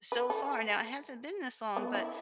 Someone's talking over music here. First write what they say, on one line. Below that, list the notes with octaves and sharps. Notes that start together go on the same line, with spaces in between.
so far. Now it hasn't been this long, but
B4
A4
B3
E4